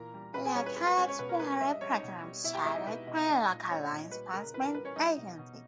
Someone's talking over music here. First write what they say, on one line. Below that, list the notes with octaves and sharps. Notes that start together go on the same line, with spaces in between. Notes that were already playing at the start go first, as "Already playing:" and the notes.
Local Explorer programs chartered by a local law enforcement agency.
Already playing: A#2 E3 A#4 A#5
G3
A#2 B4 B5
G#4 G#5
G3 C#4 C#5
B4
G#3 B4
B4
G#3 C#4 C#5
C#4 C#5
B2 B4
A#4
G#3 B4
C#4 C#5
G3 E5
D#5
G3 C#5
D#4 D#5
B2
G3
B2 E4 E5
G4 G5
G#3 E4 E5
D#4 D#5
B2 B4
B2 D#5
E5
G#3 D#4 D#5
A#2
G#3 C#4 C#5
A#2
G3 B4
C#3 A#4
E3 B4
A#4
G3 B4
C#4 C#5
G3 D#4 D#5
B2
B2